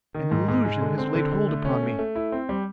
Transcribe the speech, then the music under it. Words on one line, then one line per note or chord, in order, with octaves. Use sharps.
An illusion has laid hold upon me.
D#3
G#2
G#2
G#3
D3
C4
D3
D3
A3
C#4
A3
A3
E4
C4
G3